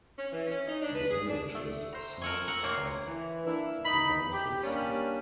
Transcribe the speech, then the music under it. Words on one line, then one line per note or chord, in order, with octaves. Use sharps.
The village is south of Devizes.
C#4
E3
C#4
D#4
D4
B4
G#4
D4
A3
C5 A#5
A#4 F#5 G#5 C#6 E6
F#5 A#5 E6
C3 A#3 C4 C#5
E3
A#3 D4 E4
D#4 B5
G4
G3 A#3 C#4 D4